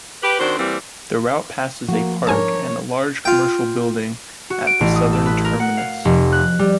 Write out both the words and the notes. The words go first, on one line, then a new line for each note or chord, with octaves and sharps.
The route passes a park and large commercial building at the southern terminus.
G4 B4
D#3 C4 D4 F#4 C5
E3 G3 A#3 C4
F3 A#3 F#4
G#2 D4 A#4 C#5 G#5 A5
F4 G5
F#4
D7
A1
D#6
A4
B4
A#4
F#5
F5
F1
F#6
G3